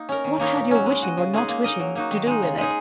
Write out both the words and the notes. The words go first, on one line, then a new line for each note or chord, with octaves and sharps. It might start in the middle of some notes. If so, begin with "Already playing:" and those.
What had your wishing or not wishing to do with it?
Already playing: A#3 D#4
C#4 A#4
D#3
A#3 D#4 A#4 C#5
A#2
F#3 C#4
G#3
F#4 D#5
C#3
G#3 D#4 G#4
A#3
D#4 A#4 D#5
F#3
A#3 D#4 F#4
D#3
G#3 D#4
C#3
G#3 D#4 G#4